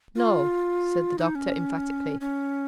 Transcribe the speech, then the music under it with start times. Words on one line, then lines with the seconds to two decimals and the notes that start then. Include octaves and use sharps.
"No," said the doctor emphatically.
0.16 F4
1.18 D#4
1.35 C#4
2.21 C#4